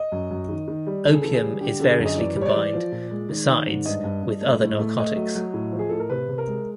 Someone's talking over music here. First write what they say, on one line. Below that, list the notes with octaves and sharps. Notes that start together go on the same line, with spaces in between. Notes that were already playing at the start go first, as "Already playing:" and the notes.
Opium is variously combined, besides, with other narcotics.
Already playing: D#5
F#2
F#2
D#3
D#3
G3
C#3 A4
G#4
E3 A4
G#4
G3
D3 G4
D3 A4
G#4
F#2
D#5
E3 D5
G3
C#5
D5
E3
F3
A#2
G#3
D#3
D#3
G#2
G2 D#5
G2
G2
A3
A2
A3
A3 D#5
F#3
F#3
A2
F3
G#4
A2 A4
A#4
C3 B4
C3
A#4
G#3